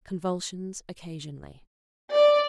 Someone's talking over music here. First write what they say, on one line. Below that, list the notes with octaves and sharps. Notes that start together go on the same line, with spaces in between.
Convulsions occasionally.
D5